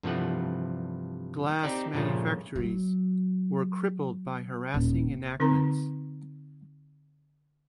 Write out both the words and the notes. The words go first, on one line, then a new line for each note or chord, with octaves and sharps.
Glass manufactories were crippled by harassing enactments.
G2 C3 E3 F3 A3 F#5
C4 D#4 G4 D5
G2 A#2 C#3 F3 A3
F#3
D#1
D3 C4 D#4 A#4 A#5